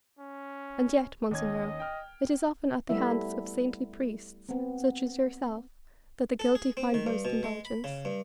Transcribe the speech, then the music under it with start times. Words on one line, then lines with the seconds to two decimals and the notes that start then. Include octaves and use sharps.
And yet, Monseigneur, it is often at the hands of saintly priests, such as yourself, that the guilty find most indulgence.
0.19 C#4
1.31 D#2 C#4 D#5 G#6
1.80 G5 F6
2.89 G3 A3 B3 E4 E5
4.49 B3 C4
6.39 A4
6.55 G#4
6.77 C4
6.94 D#3
7.06 G2
7.25 B2
7.44 G#3
7.65 B5
7.84 C#3
8.05 G2